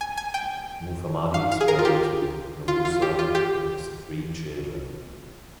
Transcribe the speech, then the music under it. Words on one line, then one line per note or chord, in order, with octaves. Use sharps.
Mufamadi is married to Nomusa and has three children.
G#5
G#5
G5
F5
F5
G#4
A#4
F4
G4
F4
F4
G4
F4
G4